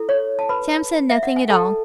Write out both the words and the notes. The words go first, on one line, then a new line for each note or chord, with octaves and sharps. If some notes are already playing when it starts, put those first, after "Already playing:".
Sam said nothing at all.
Already playing: E4 A4
C#5 C#6
A5
B4 B5
E5
F#5
G#5
A4 A5